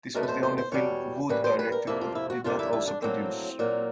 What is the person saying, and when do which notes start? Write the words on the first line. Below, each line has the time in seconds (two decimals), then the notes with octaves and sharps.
This was the only film Wood directed but did not also produce.
0.14 E2 B2 F#3 A3 A#4
0.23 B4
0.28 C5
0.43 C5
0.58 C5
0.72 E2 B2 G3 C#5
1.29 A2 E3 G3 A#3 B4
1.44 C5
1.59 B4
1.72 A#4
1.87 F2 C3 F3 A#3 E4
2.01 F4
2.15 E4
2.30 F#4
2.44 F2 D3 G3 A#3 F4
2.59 E4
2.73 E4
2.87 D4
3.02 A2 F#3 A#3 C4
3.59 A#2 F#3 A#3